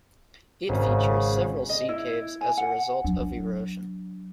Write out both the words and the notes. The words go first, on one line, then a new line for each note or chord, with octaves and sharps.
It features several sea caves as a result of erosion.
G#1 C#3
D#5
E4
G#5
F#5
F#3 D4